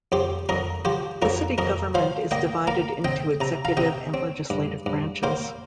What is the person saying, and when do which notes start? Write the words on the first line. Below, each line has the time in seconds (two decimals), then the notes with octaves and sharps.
The city government is divided into executive and legislative branches.
0.12 F2 G4 C5
0.49 F2 A#4 D#5
0.85 F3 G4 C5
1.22 F2 F4 A#4
1.58 F2 A#4 D#5
1.95 F3 C5 F5
2.31 A#3 D#5 G5
2.67 A#3 F5 A#5
3.04 C4 D#5 G5
3.41 C3 A#5
3.65 F5 A#5
3.77 C3 D#5 G5
4.14 C4
4.50 G2
4.86 G2
5.23 A#3 C5 F5